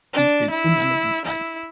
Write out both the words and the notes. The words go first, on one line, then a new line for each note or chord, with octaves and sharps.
Ich bin unermesslich reich.
D4
E4
E4